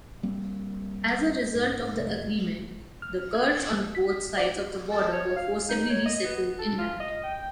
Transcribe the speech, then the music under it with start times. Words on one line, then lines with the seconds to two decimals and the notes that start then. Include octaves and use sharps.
As a result of the agreement, the Kurds on both sides of the border were forcibly resettled inland.
0.23 G3 A#3 C4
1.55 G#2
1.96 F1 C2 A3 A#3
3.02 F6
3.35 G#6
3.95 B6
4.38 D5
4.91 A4
5.12 C#5
5.36 F5
5.69 D#4
5.90 C#5
6.05 D#5
6.24 B3
6.59 A4
6.78 F4
7.00 D#5
7.23 G5